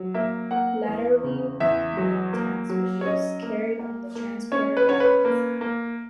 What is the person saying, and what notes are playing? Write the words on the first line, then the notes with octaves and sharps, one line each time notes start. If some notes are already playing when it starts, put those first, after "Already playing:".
Latterly milk tanks were used, carried on the transporter wagons.
Already playing: F#3
A#3 E5
A#3 F#5
E2
C#3
E2 E5
F#3
A#3
F#3
C#5
C#4 D#5
A#3
A#3
A#3
C#4 C#5
B4
C#4 C#5
B4
A#3
A#3